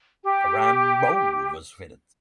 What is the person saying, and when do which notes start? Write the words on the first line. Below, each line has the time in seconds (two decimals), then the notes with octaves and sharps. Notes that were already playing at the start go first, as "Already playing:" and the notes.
A ram bow was fitted.
0.23 G4